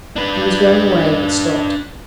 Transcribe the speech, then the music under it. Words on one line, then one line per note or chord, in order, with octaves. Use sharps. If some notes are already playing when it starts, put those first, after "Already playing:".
He was going away, but stopped.
D4 B4